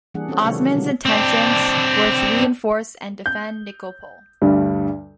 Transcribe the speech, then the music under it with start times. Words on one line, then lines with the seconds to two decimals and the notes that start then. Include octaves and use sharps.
Osman's intentions were to reinforce and defend Nikopol.
0.14 E3 G3 A#3 D4 G#4 F#5
0.28 C4 C#4 E4 A4 C#5 F#5
0.43 C3 D#3 F#3 G#3 A#3 D4
0.59 D#3 F#3
0.74 B2 D3 G3 G#3 F#4 C#5
1.05 C4 D4
3.26 G6
4.42 D2 G2 G3